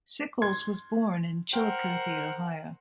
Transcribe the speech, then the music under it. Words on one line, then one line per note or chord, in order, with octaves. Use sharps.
Sickles was born in Chillicothe, Ohio.
C6 G#6
A#4 C5 F#5 G5